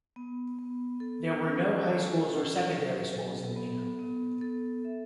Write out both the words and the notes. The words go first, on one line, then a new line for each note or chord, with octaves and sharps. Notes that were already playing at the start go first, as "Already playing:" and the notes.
There were no high schools or secondary schools in Mino.
B3
B3
A4
C#4
A4
C#4
F#3
A4
B3
B3
A4
E5